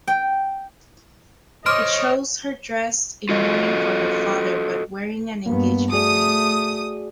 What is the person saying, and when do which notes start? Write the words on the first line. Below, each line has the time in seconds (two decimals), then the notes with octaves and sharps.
It shows her dressed in mourning for her father but wearing an engagement ring.
0.08 G5
1.66 C5 C#5 D#5 C6 D6 D#6 F6 D7
3.29 F4 F#4 A4 D#5
5.46 G2 A#3 B3
5.92 A3 F#4 G#4 D5 D#6